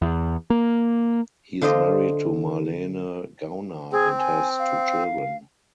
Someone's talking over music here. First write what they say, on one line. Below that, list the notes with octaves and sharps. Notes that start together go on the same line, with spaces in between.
He is married to Marlene Gauna and has two children.
E2
A#3
D3 F4 C5 D#5 G5
C4 G#4
G#5
F5